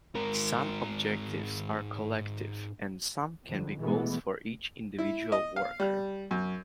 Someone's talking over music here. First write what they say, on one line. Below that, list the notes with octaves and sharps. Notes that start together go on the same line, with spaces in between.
Some objectives are collective, and some can be goals for each individual worker.
G#2 A#4
F2 D3
B2 E3 G#3 A3 B3
E4
D#5
F5
G3
F#2